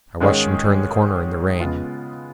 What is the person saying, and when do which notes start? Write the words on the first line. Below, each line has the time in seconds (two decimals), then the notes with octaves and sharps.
I watched him turn the corner in the rain.
0.20 G#2 D#3 G#3 C#4 G#4
1.60 C#3 G#3 B3 F4